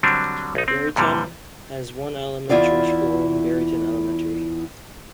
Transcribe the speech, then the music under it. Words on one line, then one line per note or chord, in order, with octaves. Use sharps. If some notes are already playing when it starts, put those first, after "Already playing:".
Barryton has one elementary school, Barryton Elementary.
D3 F#3 G3 C4 D4
B1 D#4
C4
F2 A#2 D3 G3
E2 E4 F4 D5 F5